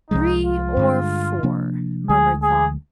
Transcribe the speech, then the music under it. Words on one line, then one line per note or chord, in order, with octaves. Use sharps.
"Three or four," murmured Thong.
C2 C3 F3 G#3 D#4
F4
G2 D3 G#3
C3 F3 A#3 D4
D2 D3 G#3 G#4
G#4